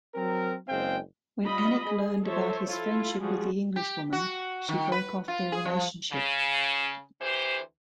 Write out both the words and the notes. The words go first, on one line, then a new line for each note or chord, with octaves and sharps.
When Annick learned about his friendship with the Englishwoman, she broke off their relationship.
F#3 C4 A#4
F#1 G#3 C4 F5 G5
G3 F4 D#5 B5
G#4
F3 A4 C5 C#5 E5
E4 F4 A4
F3 G3 G#3 F#4 G#4
G4
F#4
D#3
B4
F4
G#4
F3
C#3
D2 E3 G4 C5